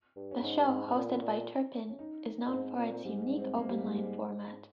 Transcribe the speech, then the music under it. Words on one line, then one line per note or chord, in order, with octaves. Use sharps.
The show, hosted by Turpin, is known for its unique open-line format.
G2
C#4
G#2 D#4
G2
G#2
G#2
A#2
A#2
C#4
D#4
A#2
G#2 C4
A#2
G#2 G3
G#3
C4
A#3
G3
G#3
G#3